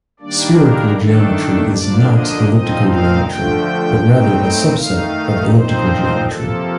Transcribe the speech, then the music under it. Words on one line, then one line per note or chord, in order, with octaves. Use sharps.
Spherical geometry is "not" elliptic geometry, but is rather a "subset" of elliptic geometry.
D#3 G3 A#3 D4 D5
A#4
D#3 A3 D4 A4
D3 F3 A#3 D4 D5
D#5
A#2 F3 C4 D#4 D#5
F5
D3 F3 A3 G5
A2 A3 C4 D#4
D#3 A3 D#4 F5
A#2 F3 C4 D#4 C5
C3 F3 A#3 A4